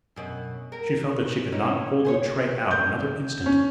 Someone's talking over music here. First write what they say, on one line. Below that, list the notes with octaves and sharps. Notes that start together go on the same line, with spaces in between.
She felt that she could not hold the tray out another instant.
F#2 B2
A#4
C#4 D#4 E4
G#4 C5 C#5
G6
C#4